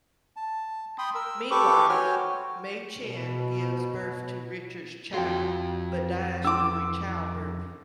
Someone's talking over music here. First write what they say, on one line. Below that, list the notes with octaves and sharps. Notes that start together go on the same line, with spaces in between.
Meanwhile, Mai Chen gives birth to Richard's child, but dies during childbirth.
A5
G5 B5 C6 D#6
A#4 E6
G4 A4 B4 C#6 D6
F#4 C5 C#5 G5 G#5 F6
B2
F2 F4 F#4 G5
C#4 E4 C6 D6 E6